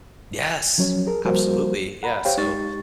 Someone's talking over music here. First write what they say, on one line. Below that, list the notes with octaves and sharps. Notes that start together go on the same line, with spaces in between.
Yes, absolutely, yeah, so,
F3 F#3 C#4 C#5
G#4 A#4
F3 G3 A#3 F#4 A#4 C5
F#5 A#5 B5
G4 C5 C#5 F5 G5
G#3 D#4 G4 C#6 A6